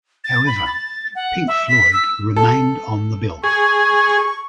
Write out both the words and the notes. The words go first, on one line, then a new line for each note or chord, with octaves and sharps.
However, Pink Floyd remained on the bill.
A6
B5
A6
F#5
E5
B6
E6
A4
G#4 C#6